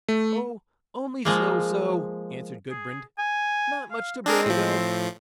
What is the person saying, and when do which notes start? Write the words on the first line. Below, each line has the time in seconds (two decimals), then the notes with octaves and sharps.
'Oh! only so so', answered Gudbrand; 'not much to brag of.
0.09 A3
1.25 F3 G#3 A#3
2.71 G#4
3.19 G#5
3.92 F5
4.26 C4 D4 G#4 A#4
4.46 A2 F3